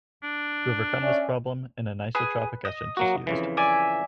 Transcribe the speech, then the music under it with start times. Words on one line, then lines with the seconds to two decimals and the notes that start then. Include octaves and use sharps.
To overcome this problem an anisotropic etchant is used.
0.24 D4
1.02 C#4 D5 E5
2.15 G#4 B4
2.65 D#5
2.97 F#3 A#3 F#4
3.27 F2 C#3 E3
3.57 D5 E5 G#5